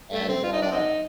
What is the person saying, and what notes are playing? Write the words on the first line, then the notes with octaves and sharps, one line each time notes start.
and, uh
A3
C4
F4
D#4
D4
C4 D#4